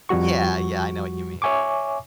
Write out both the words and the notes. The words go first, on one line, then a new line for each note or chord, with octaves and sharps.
Yeah, yeah, I know what you mean.
F2 F3 G3 F#4 C#6
C#5 E5 G#5 C#6 D6